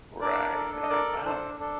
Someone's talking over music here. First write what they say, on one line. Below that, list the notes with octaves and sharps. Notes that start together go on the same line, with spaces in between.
Right, right. Wow.
D4 A#4 D5
A4
D#5
A4 A#4 D5
D4 A4 C5
D4 A4